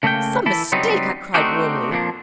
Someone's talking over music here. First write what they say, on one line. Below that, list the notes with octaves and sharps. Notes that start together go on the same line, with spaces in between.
'Some mistake!' I cried, warmly.
C#3 A3 A#3 D#5 G5
E3 E4 A4
C#3 F#3 G3 B3 C4 D#4
A3 C4 D4 D#4 F#4 G4
F2 A#2 F3 A3 A#3 D4